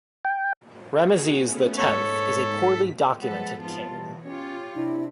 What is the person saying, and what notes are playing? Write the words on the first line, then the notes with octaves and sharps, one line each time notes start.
Ramesses the Tenth is a poorly documented king.
G5
F#4 G#4
A3 B3 C#4
G#2 A4 C#5 B6
F3 G#3 A4 B4 F#5
F2 G#2 B3 F4 A5
B2 E3 G3
C#4 F4 G4 C#5
C3 D4 E4